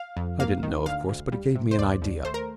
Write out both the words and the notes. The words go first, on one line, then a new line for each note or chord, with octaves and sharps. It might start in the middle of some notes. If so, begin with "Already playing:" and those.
I didn't know, of course, but it gave me an idea.
Already playing: F5
F2
A#3 F5
D#3
D2 F5
D2
G3
C3
C5
D#2 D5
D#2
A3 C5
A#4